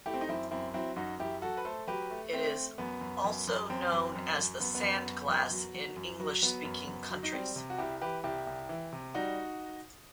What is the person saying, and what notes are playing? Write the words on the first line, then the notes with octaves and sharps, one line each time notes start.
It is also known as The Sandglass in English speaking countries.
A3 E4 G4
C4
D#4
F#2 C4 E4
F#2 C4 E4
F#3 C4 E4
F#2 D#4 F#4
F#2 E4 G4
F#3 F#4 A4
B4
A3 A4 C5
F#3 G4 B4
A3
A3 C4
A3
F#2 B3
F#2
F#2
F#2
F#2 C4
F#2
F#2
F#2
F#2 B3
B3
F#2
F#2
F#2
F#3
F#3
F#2
F#3
F#3 B3
F#2
F#2
F#3
D#4
G3 C4
C3
F#4
C2 E4 G4
E3 G4 B4
C2 E4 G4
C2
E3
C3
G3 D#4 F#4